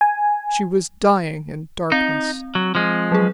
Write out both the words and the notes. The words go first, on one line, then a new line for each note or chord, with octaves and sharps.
She was dying in darkness.
G#5
C4 D#4
F#3
F3 G#3
F#3 G#4